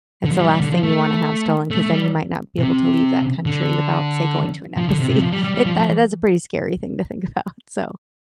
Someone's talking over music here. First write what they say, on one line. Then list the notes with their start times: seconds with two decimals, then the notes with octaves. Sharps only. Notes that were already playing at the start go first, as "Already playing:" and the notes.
it's the last thing you wanna have stolen, 'cause then you might not be able to leave that country without, say, going to an embassy, it that that's a pretty scary thing to think about, so,
0.24 D3
0.32 F3
0.39 G3
0.50 G3
0.61 D3
0.72 F3
0.83 A3
1.71 A3
1.82 A3
1.92 G3
2.59 C3
3.46 D3
4.77 F3
4.89 D3
5.00 C3
5.10 C3
5.21 F3
5.32 G3
5.44 G3
5.55 G3
5.66 F3
5.76 F3